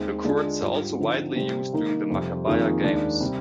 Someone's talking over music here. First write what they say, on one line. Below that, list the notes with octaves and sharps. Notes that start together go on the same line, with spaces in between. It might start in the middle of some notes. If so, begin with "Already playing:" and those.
The courts are also widely used during the Maccabiah Games.
Already playing: D#2 D#3 G#3 C4
D3 G#3 D4 F4
G#2 G3 D4 F4
D3 F3 C4 D#4
C3 G3 C4 G4 C5
D#3 A#3 D#4 A#4
F2 C3 G3 C4
F2 D#3 A#3 F4 G#4
D#2 D#3 G#3 D4
C3 G3